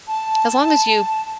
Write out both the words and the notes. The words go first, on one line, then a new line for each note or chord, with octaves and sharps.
as long as you
A5